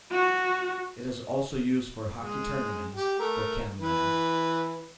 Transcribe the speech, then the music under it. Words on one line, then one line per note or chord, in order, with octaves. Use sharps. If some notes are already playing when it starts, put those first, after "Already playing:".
It is also used for hockey tournaments for Canlan.
F#4
G#3
G4
A3 A#4
E3 B4